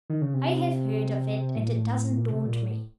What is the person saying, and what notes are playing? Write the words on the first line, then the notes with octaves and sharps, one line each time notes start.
"I have heard of it--and it doesn't daunt me."
D#3
C#3
C3
A2
A#2
A2
A#2
C3
A#2
A2